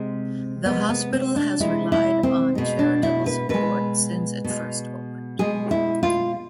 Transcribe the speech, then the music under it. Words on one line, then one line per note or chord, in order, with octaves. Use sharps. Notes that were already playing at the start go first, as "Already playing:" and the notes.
The hospital has relied on charitable support since it first opened.
Already playing: C3 G#3 C4
C3 G#3 B3
B3
C4
D4
C3 G#3 E4
E4
C4
B2 G#3
D4
E4
B4
B2 G#3 B4
B2 G#3
B2 G#3 G#4
E4
F4